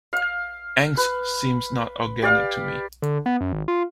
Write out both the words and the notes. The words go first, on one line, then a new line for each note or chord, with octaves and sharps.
"Angst" seems not organic to me.
F5
B4
G4 D5 F5
D3
B3
F#2
G#1
F4